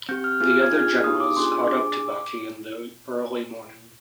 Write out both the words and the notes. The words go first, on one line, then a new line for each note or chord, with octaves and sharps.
The other generals caught up to Baqi in the early morning.
C4 G4 G6
F6
B3 F4 G#4 F6
F6
G#6
D4 F4 G#4 F6
B3 D#4 G4 D#6
D6
B3 D4 F4 G#4 C6
D4 G#4 D6